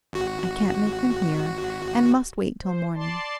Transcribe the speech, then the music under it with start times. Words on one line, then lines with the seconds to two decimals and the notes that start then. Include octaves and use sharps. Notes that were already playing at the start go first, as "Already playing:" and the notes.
I can't make them hear, and must wait till morning.
0.13 G#1 F#4
2.61 C5
2.95 D5 A5 C6